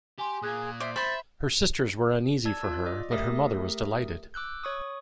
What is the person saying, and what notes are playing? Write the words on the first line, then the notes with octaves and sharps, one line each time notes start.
Her sisters were uneasy for her, but her mother was delighted.
G4 G#5 C6
A#2 G#4 D#6 F#6 G#6
C5 D5 E5
C5 E5 B5 C6 G6 A6
D5 A5 E6 G#6
F4 E6
D5 D#5
A3 G4 A#4 E5 D#6 A#6
D6 E6 F#6 G6
C#5 C#6 D#6